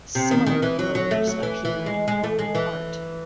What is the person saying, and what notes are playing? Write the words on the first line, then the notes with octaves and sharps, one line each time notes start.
Similar loaves appear in the Roman art.
C3
D#3
D#3
E3
F#3
F#3
A3
F#3
E3
E3
G#3
G#3
A3
G#3
E3